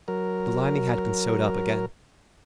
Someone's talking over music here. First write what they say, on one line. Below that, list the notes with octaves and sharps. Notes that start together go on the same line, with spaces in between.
The lining had been sewed up again.
F#3 A#4